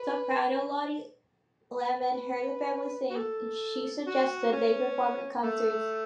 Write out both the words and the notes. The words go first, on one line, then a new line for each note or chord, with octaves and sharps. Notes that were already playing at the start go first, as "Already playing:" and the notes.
Soprano Lotte Lehmann heard the family sing, and she suggested they perform at concerts.
Already playing: B4
B4
F#4
A4
F#4
C#4
A3